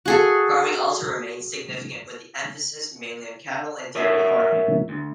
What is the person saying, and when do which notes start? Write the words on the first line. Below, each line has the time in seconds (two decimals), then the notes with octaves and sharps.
Farming also remains significant with the emphasis mainly on cattle and dairy farming.
0.06 F#4 G#4 A4
3.95 A#4 C#5 E5
4.89 D2